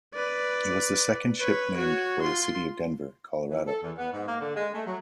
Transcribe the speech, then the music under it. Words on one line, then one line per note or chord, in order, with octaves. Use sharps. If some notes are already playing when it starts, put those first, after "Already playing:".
It was the second ship named for the city of Denver, Colorado.
B4 D5
B4 C#5
F#4 C#5
F4 C6
E3
A4
E2
B3
G#2
A#3
D3
G#3
A3
F#3